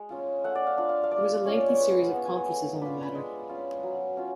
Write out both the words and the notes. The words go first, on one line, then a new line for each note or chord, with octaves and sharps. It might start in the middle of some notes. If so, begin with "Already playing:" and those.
There was a lengthy series of conferences on the matter.
Already playing: G#3
C#4 F4
A3 F#5
D5
F5
D4 F4
F5
F5
A3 D5
C#4 F4 C#5
D5
C#5
G#3 B4
F#5
B3 F4
G#5
A3
D4 F4 B5
B5
G#3
C#4 F4
F#3
C#4 F4